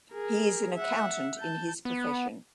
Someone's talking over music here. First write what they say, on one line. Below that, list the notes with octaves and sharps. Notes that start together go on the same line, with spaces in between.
He is an Accountant in his profession.
G#4 A#4
E5 F#5
A5 G6
B3